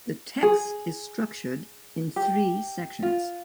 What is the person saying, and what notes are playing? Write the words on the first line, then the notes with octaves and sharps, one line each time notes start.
The text is structured in three sections.
G#4
G4
F4